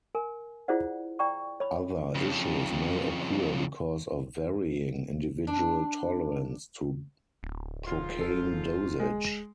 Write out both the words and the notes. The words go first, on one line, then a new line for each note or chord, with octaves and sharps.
Other issues may occur because of varying individual tolerance to procaine dosage.
A#4 G#5
E4 F4 G#4 C5 D5 F#5
D5 G5 A#5 C#6
C#5 B5
F2 C#3
D4
D1
G#2 F3 F4
A4
G#3